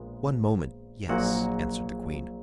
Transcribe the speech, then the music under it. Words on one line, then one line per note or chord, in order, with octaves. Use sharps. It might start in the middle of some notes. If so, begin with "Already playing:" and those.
"One moment, yes," answered the queen.
Already playing: A#1 A#2 G#3 B3
A#1 A#2 F#3 A#3 F#4 F#5